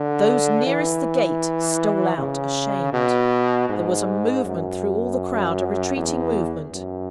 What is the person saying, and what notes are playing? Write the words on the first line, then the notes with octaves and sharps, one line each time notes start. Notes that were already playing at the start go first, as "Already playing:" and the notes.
Those nearest the gate stole out ashamed; there was a movement through all the crowd--a retreating movement.
Already playing: D3
E3
C#3
B2
G#2
F#2
E2
F#2